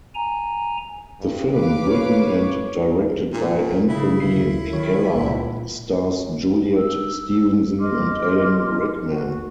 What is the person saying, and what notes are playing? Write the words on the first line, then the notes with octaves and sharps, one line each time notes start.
The film, written and directed by Anthony Minghella, stars Juliet Stevenson and Alan Rickman.
G#5 A#5
G2
B4 F5 D6
C#5
A#2
C#3 E4
D2 C7
D#3 F#3 C#5
C#2 A#2
E6
D#5 C6 D6 F6
F#4